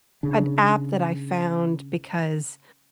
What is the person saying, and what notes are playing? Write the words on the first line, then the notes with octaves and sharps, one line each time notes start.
an app that I found because
C#3 D4